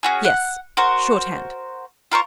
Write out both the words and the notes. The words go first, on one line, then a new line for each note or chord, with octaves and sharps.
'Yes, shorthand.
C#4 F#4 G#4
F#5
F#4 A#4 C5
F4 A#4 C5 C#6